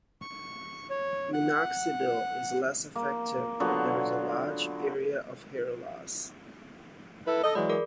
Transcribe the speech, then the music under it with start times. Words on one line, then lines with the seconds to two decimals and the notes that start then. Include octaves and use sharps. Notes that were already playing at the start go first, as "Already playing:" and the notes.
Minoxidil is less effective when there is a large area of hair loss.
0.21 C#6
0.90 C#5
1.34 F#5
2.96 A#3
3.60 D3 F#3 B3 F4
7.26 E4 A4 B4
7.42 A4 D#5
7.55 E3 F#3 G#3 D5 B5
7.69 G#4 A#4 D6